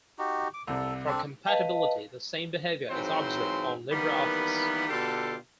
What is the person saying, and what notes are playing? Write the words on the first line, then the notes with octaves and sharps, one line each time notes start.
For compatibility, the same behavior is observed on LibreOffice.
D#4 F#4 G4
D6
C2 C3 A4
C4 D4 A4
B4 D#5 F5 A5
G#2 E3 F#3 C4 C5 C6
D#3 E3 G3 A#3 B3
B2 D3 F4 G4 A4